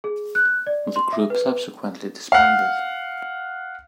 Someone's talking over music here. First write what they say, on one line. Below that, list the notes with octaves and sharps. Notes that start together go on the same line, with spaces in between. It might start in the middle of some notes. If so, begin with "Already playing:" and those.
The group subsequently disbanded.
G#4
F#6
D5
C6
E5
B4
F5 F#5